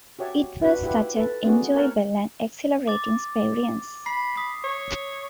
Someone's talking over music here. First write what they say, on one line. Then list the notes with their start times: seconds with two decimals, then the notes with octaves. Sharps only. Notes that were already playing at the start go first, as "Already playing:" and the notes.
It was such an enjoyable and exhilarating experience ...
0.19 F#4 G4 C#5 E5 A5
0.62 D4 F#4 B4
0.83 E4 F4 G4 B4 E5 F#5
1.17 A4 B4
1.44 A3 B3 C4 D4 F#4 G#4
1.75 A#4 C5 C#5 F#5 A5
2.87 D6 A6
4.06 B5 C7
4.36 D#6 B6
4.64 C#5